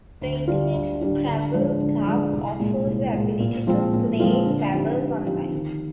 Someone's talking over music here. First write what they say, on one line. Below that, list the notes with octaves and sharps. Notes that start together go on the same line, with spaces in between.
The Internet Scrabble Club offers the ability to play Clabbers online.
D2
D3 G3 D4 F4
D2
D3 G3 D4 F4
D3
F3 G#3 D4
D3
F3 G#3 D4
C2
A#2 G#3
C2
A#2 G#3
A#2
F3 G#3 C4 F4
A#2
F3 G#3 C4 F4
D3
F3 C4 D#4 G4
D3
F3 C4 D#4 G4
D#3